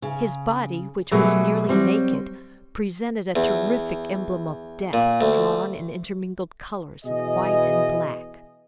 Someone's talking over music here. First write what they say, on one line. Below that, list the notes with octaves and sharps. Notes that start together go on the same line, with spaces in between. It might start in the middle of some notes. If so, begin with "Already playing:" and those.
His body, which was nearly naked, presented a terrific emblem of death, drawn in intermingled colors of white and black.
C#3
B2 F#3 G3 A3 A#3 G#4
F#3 G3 C4
E2
A#2
D2
B2 E3 G#4 D#5